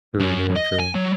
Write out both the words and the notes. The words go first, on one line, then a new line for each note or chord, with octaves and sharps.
True, very true.
F#2
D#5
G#5
F#3